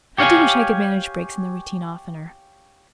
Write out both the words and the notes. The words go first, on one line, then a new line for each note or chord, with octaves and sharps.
I do wish I could manage breaks in the routine oftener.
G4 C#5 F5 F#5 G#5